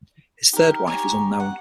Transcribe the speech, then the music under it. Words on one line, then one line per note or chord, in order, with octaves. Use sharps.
His third wife is unknown.
D#4 G4 A#4
G4 C#5 G#5 A#5
F#5